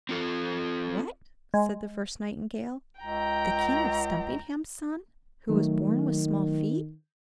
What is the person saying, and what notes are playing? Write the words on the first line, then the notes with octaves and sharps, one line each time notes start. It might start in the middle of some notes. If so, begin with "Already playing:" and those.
"What!" said the first nightingale--"the King of Stumpinghame's son, who was born with small feet?"
C4 F4 A4
G#3
C#2 G5 A#5
D#3 F#3 A3